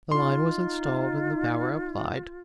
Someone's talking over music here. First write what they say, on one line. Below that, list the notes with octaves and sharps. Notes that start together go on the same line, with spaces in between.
The line was installed and the power applied.
D#4 F4 C6